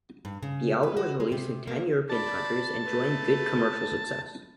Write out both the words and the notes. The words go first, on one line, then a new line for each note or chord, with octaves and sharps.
This album was released in ten European countries enjoying good commercial success.
G2
C#3
B4
F#4
G#3
C3
A#3
D5 A5 B5
A3 B4